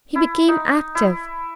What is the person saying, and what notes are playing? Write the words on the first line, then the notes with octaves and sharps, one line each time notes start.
He became active.
E4
D#4
E4